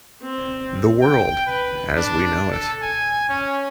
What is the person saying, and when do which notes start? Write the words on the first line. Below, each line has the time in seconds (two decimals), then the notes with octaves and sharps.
The World as we know it.
0.22 C4
1.01 G5
1.47 B4
1.96 D4
2.52 A4
2.82 G#5
3.29 C#4